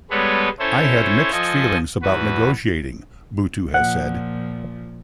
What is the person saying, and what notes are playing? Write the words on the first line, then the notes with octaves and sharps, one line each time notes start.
"I had mixed feelings about negotiating," Buttu has said.
G3 G#3 B3 A4 B4 C#5
C#4 E4 A4 C5 C#5
F3 A4 D#5 G#5
E2 F#4 B4
A#2 F3 F#5